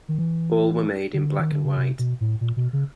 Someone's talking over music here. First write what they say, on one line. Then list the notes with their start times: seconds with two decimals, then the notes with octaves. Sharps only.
All were made in black-and-white.
0.08 D#3
0.18 E3
1.14 D3
1.39 D#3
1.52 D3
1.65 C#3
1.77 C3
1.99 B2
2.21 A2
2.41 A#2
2.57 B2
2.73 C#3